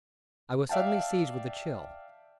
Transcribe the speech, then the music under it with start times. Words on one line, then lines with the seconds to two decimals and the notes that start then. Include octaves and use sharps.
I was suddenly seized with a chill.
0.69 D5 E5 F5 G5 A5